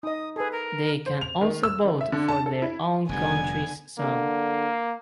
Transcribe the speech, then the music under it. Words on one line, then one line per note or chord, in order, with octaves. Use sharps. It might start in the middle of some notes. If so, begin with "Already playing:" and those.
They can also vote for their own country’s song.
D#4 D#5 D#6
G#4 A4 B4
A#4
C5
F7
D#3
E6
D#3
E5
D3
A5
A4
E4
F1 F2 D3 G3 B3 G#5 G#6
D3 A#3